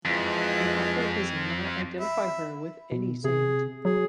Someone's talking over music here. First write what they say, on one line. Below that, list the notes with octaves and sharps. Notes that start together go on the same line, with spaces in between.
The author does not identify her with any saint.
F2 E3 F3 G#3
E5 B5
B2
C3 G#4
F#3 G#4